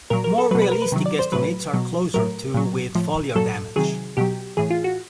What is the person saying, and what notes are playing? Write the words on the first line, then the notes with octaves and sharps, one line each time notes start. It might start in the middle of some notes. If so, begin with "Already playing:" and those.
More realistic estimates are closer to with foliar damage.
A#2 F#3 A#4
A#4
A4
B2 F#3 B4
B4
A#4
B4
C3 D#3 F#3
D5
C5
A2 F#3 B4
B2 F#3
A2 F#3 A#4
A#2 F#3
A2 F3
A#2 F#3 A4
C3 D#3 F#3 G#4
B2 F#3 G4
A2 E3 G#4
F4
F#4